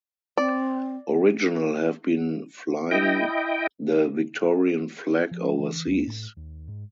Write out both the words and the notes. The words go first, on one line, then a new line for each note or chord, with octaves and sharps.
Original have been flying the Victorian flag overseas.
C4 D5
E4 D#5 G5
F3
E3
D#2
A2
D#2
G#2